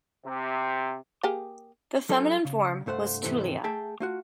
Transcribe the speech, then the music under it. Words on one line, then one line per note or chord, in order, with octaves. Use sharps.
The feminine form was "Tullia".
C3
A#3 G4 G#4
F#3 F4 A4 C5 E5 G#5
C#3
C2 G2 A3 C5 F#5
E2 G#2 C3 E3 A3 C4
A3 G#4 E5 G5 A5
A3 F4 F#4